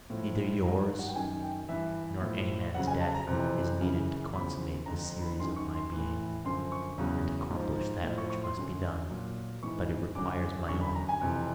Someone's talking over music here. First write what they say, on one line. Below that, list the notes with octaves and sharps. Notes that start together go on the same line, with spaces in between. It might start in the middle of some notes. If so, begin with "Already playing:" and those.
Neither yours nor any man's death is needed to consummate the series of my being and accomplish that which must be done, but it requires my own.
A2 F3
G2 D#3 F#3 A#5
F#5
G5
F#2 D#3 F#3 G#5
G5
G2 E3 E5
A2 F3
F2 C#3 F#3 F#5
G#5
A5
A#5
F2 C3 E3
F#2 C#3 E3
E2 C#3 F3 B5
F2 D3 F3 A#5
A#5
B5
F#2 D#3 F#3 C6
C#6
C6
A2 E3
F#2 D3 F3 C6
C#6
E2 C#3 F#3
G#2 F3
A2 F3
C#6
C#6
C6
F#2 D3 F#3
A#2 F#3
G#2 E3 C#6
F#2 D3 F#3 D6
F#2 D3 F#3 C#6
B5
A#5
G#5
F2 C3 E3